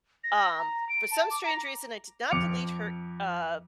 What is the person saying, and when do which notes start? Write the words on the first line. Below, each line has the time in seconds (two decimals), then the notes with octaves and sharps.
Um, for some strange reason, I did not delete her, uh
0.24 A#6
0.58 A#5
0.89 D7
1.11 A5
1.31 D6
1.45 A#5
2.31 F2 D6 C#7 F7